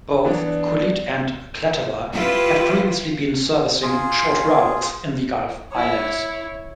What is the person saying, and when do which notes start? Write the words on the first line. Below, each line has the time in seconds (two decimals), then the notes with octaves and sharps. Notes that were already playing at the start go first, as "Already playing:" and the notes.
Both "Kulleet" and "Klatawa" had previously been servicing short routes in the Gulf Islands.
0.25 E3 B3 D4 D5
2.12 E4 F4 G4 B4
3.82 F4 G#4
5.72 E4 C#5